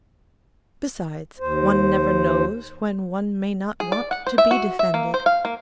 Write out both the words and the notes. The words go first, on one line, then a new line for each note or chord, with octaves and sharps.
Besides, one never knows when one may not want to be defended.
D#2 C5
G#4
D5
F#5
C5
E5
F#4
E5
A#3
C5
F5
A#3